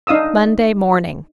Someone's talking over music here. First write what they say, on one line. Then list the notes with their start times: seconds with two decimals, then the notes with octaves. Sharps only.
Monday morning.
0.07 D4 D#4 F5 D#6 E6